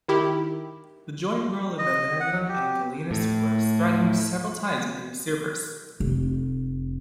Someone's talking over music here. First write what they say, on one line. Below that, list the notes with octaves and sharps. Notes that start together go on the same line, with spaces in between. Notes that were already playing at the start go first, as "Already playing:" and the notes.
The joint rule of Valerian and Gallienus was threatened several times by usurpers.
D#3 E4 G4
D#5
F#5
F#3
G4
A2
F1